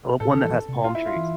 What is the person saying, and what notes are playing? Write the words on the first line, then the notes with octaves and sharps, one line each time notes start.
well, one that has palm trees,
A2 A4
C3
A4
D3
E3 A4
E3
C3
F4
E4
F4
E3